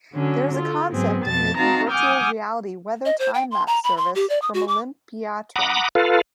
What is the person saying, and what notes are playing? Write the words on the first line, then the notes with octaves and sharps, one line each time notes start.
There is a concept of making Virtual Reality weather timelapse service from Olympiaturm.
D3 F#3 C#4
F4 A4
G#2 F#3 B3 C4 G#4
F2 B2 A5 A6
C4 D#4 F#4 F5 A5 A#5
F#5 G#5 D6 D#6 F6 G6
D#5
C5
G5
C6
A#5
B5
C6
G4
D5
D#6
F#4
D6
F#5 A#5 B5 D6 D#6
F4 A4 B4 F5